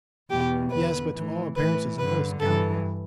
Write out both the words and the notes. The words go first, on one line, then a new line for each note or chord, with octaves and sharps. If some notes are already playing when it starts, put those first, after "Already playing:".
"Yes, but to all appearances a most gallant one."
E2 B2 G4
E2 D3 B4
A2 E3
A2 E3 B4
G2 D3 B4
G2 E3 A4